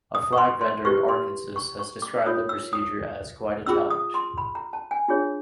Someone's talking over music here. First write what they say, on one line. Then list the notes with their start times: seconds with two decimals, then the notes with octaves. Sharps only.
A flag vendor in Arkansas has described the procedure as "quite a challenge".
0.15 D#6
0.33 C#6
0.38 C6
0.61 C6
0.85 E4 G4 B4 C#6
1.08 C6
1.56 C#6
1.79 C#6
2.02 D6
2.26 F4 A#4 C#5 D#6
2.49 E6
2.73 D#6
3.66 C#4 F4 G#4 E6
3.90 D#6
4.14 C6
4.38 B5
4.55 A#5
4.73 A5
4.91 G#5
5.08 D4 F4 G#4 C#5